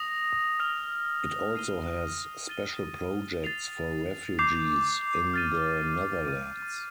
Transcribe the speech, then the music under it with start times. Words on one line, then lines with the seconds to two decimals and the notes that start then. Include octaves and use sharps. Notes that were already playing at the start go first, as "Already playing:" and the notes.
It also has special projects for refugees in the Netherlands.
Already playing: D#6 A#6 F7
0.60 F6 A#6 F7
1.55 F6 C7 D#7 G7
2.49 A6 D#7 G7
3.44 A6 C7 F7
4.39 D6 G6 C7 F7
5.33 F6 A6 D#7
6.28 D6 F6 A6 D#7